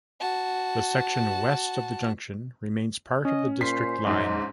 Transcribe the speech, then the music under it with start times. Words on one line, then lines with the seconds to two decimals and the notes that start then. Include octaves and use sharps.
The section west of the junction remains part of the District line.
0.20 F#4 A5
3.25 C#4 D#5
3.61 A#2 C5 B6 C7
4.05 A#1 G#2 D#4 C5